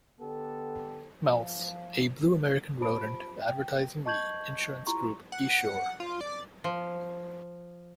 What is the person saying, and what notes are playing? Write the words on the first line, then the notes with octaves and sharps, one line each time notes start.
Mouse, a blue American rodent advertising the insurance group esure.
D3 B3 G4 A4
F3
F4 G4 C5 A5 B5 D7
G5
D#5 A5 C#6 G6 G#6 F#7
E4 F4 G4 A#5 C6 C#6
F#5
F4
D5
F3